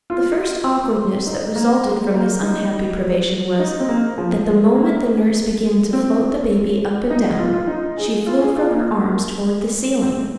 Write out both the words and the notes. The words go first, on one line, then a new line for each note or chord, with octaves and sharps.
The first awkwardness that resulted from this unhappy privation was, that the moment the nurse began to float the baby up and down, she flew from her arms towards the ceiling.
F4
D#4
A#3
G#3
A#3
D#4
D#4
C4
A#3
F3
G#3
A#3
C4
D#4
F4
F4
D#4
G#4
F4
G#4
F4
A#3
C4